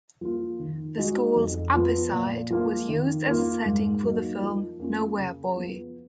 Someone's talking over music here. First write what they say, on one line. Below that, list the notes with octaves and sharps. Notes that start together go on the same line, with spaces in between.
The school's Upper Site was used as a setting for the film "Nowhere Boy".
F3 A#3 F4
D#3
G#3 D#4 F#4
F2
F3 B3 F4
A#2
F3 A#3 F4
D#3
A#3 F4
G#2
F#3 A#3 D#4
F3
A#3 C#4 F4
C#3
F3 B3